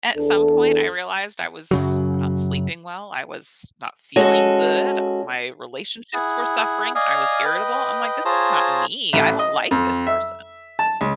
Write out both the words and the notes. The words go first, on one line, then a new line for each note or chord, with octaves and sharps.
at some point I realized I was not sleeping well, I was not feeling good, My relationships were suffering. I was irritable. I'm like, "This is not me, I don't like this person."
E2 D4 A4
F#2 C#3 F#3
G#3 C#4 F#4 A4
E4 G#4 F#5
D5 D#5 F5 G#5 D#6 F6
B4 D#5 G5
F4 G#4 C5 C#5 A5 A#5
A1
D#5
F2
E5
A5
C#2